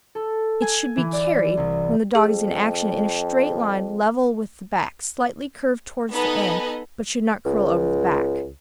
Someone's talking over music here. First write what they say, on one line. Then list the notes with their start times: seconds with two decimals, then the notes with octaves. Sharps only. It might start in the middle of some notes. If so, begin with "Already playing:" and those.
It should be carried, when the dog is in action, in a straight line level with the back, slightly curved towards the end, but should not curl over the back.
0.15 A4
0.61 G#5
0.97 E3
1.13 D5
1.57 C2
2.15 F2 G#4
6.12 B3 D#4 A4 B4 D#5 G#5
7.45 C#2